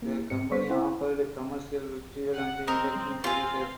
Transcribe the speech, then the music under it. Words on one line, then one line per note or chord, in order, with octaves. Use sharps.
The company offered commercial retrieval and indexing services.
A#3 E4
G#2 C4 C#7
G3 B3 C5 C#6 B6
E4 C5 F#5
F#5
C4 A#4 C5 D#5
C4 F4 F5 G#5 C6